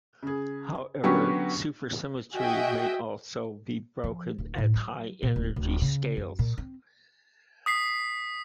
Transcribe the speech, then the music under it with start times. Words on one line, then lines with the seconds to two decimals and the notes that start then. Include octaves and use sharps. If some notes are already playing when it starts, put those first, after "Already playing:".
However, supersymmetry may also be broken at high energy scales.
0.23 C#3 G#4
1.03 D3 F#3 B3 C#4 F#4 G4
2.35 F#4 G#4 D#5 E5 G5
4.04 F3
4.38 D1
4.58 A2
4.76 F#3
5.23 A#2
5.36 D1
5.56 D1
5.81 C#3
6.17 F#2
6.39 A#2
6.58 C4
7.66 D#6 B6 C7